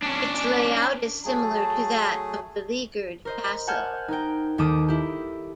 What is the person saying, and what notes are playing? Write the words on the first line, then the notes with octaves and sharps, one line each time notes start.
Its layout is similar to that of Beleaguered Castle.
C#4 D4
F#3 A3 G#4 A5
A#4 C5 D#5
F#5 G#5 A5 F6 G6 G#6
D#4 A#4 G5
D#2 D#3 A4 D6 D#6
E4 G4